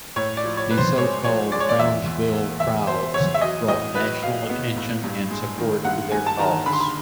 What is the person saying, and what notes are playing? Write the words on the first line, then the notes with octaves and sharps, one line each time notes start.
The so-called Brownsville trials brought national attention and support to their cause.
A2 C#5
D5
F3
C#5
A2 B4
C5
G#3 C#5
F3 C#5
G#3 D5
C#5
D5
E2 E5
E2
A#3
E2 E5
B2 C5
E2 C#5
E5
F#3 D#5
A2 D#5
F#3 B4
F#3 F5
B3
A2
G2
G#3
D#3
G2 F#5
G2 G#5
A5
D#3 A#5
D3 B5
C6
B5